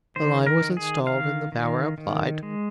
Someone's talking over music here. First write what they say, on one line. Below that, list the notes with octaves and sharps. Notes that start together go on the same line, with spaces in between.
The line was installed and the power applied.
D#3 C5
A#4
D#3
G#4
D#3 F5
D#3
D#3
G#3